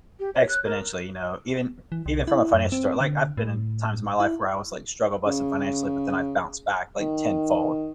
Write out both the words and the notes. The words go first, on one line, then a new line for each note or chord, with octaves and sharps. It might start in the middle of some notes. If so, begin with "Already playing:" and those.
exponentially, you know, even even from a financial story, like, I've been in times in my life where I was, like, struggle busing financially, but then I've bounced back, like, tenfold.
G4
C#5
F#6
A#4
E3
C2
E4
F#2
C4
D3
A2
E4
C#3
D#3